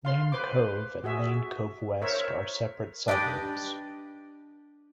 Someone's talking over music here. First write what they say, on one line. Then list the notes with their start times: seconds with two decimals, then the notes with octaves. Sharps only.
Lane Cove and Lane Cove West are separate suburbs.
0.05 F5 C6
0.32 B4 C5 C6 D6
1.04 F#4 G#4 E5
2.02 A#4 C5 C#5 E5
3.08 D4 G4 B4 D5 D#5